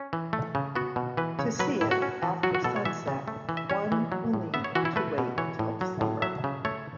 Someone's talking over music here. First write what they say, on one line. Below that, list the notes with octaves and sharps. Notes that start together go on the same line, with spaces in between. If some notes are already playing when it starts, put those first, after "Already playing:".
To see it after sunset, one will need to wait until December.
Already playing: C#4
E3
A3
C#3
B3 F#4
B2
E3 B4
C#3 C#5
F#3 B4
A2 E4
F#4
C#4
E3
F#3 F#4
F#4
B2 A4
C#5
E3 E5
C#3
A3
E3
E5
C#4 C#5
E3
F#3
A2
B3 E5
C#5
E3 F#4
E4
A3 B4
B2
E3 C#5
A2
F#3
A2
F#3 E5
C#3
A3 C#5